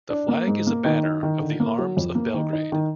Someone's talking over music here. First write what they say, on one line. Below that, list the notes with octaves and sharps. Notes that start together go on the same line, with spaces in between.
The flag is a banner of the arms of Belgrade.
D4
A#3
G#2
A#3
D#3
D#4
D#3
D3
A#3
F#3
F2
A#3
D#3
D#4
D#3